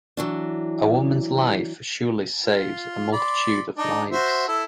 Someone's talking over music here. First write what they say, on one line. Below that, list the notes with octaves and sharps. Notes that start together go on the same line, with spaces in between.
A woman's life surely saves a multitude of lives.
E3 F#3 D4
F4
D5 B5 C6
D4 D#4
F#4 C5 E5
E4 A4 E6